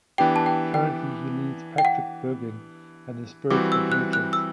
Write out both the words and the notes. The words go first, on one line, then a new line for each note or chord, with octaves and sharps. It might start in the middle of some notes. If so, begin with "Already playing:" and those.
Currently, he leads Patrick Bergin and the Spirit Merchants.
E3 B3 D4 G4 G5
A5
G5
G5
G5
F#5
E3 G3 C4 F#4 D6
E6
F#6
F#6
E6